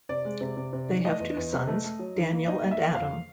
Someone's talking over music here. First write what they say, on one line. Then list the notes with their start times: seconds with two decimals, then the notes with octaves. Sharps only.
They have two sons, Daniel and Adam.
0.09 C3 D5
0.25 G#3
0.41 C3
0.57 C3
0.73 C3
0.88 D#3
1.05 A3 D#5
1.20 E2
1.37 E2
1.53 C3
1.67 A3
1.84 A3
1.99 F#3
2.16 D#3
2.31 A#3
2.48 D#4 D#5
2.63 A#3
2.71 E5
2.78 A#3
2.94 F2 F5